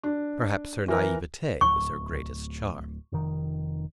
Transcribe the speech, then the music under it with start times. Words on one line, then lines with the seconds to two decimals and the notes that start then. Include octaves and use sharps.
Perhaps her naivete was her greatest charm.
0.03 D4
0.88 E3 A#4
1.61 D1 C#6
3.12 F1 D#3